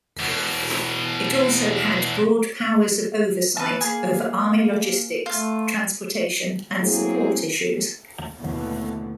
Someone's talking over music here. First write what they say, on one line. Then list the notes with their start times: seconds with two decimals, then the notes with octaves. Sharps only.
It also had broad powers of oversight over Army logistics, transportation, and support issues.
0.20 E2 B2
3.57 E3 B4 A5
3.81 A#3 G#4
5.26 A3 F4
6.82 F#3 A#3 C4 E4 G#4
8.36 D#2 B2 D3 E3 A3 B3